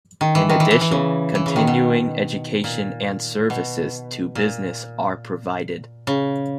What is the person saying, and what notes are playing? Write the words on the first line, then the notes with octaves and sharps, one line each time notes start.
In addition Continuing education and services to business are provided.
D#3
E3
D#3
E3
E3
E3
C#3
E3
C#3
D#3
B2
A#2
B2
A#2
C#3